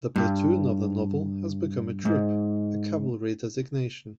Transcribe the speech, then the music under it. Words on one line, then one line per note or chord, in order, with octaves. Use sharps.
The platoon of the novel has become a troop, a Cavalry designation.
G2
G#2